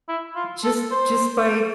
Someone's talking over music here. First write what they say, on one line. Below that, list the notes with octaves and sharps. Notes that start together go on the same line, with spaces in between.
just just by, d
E4
F4
A4
C5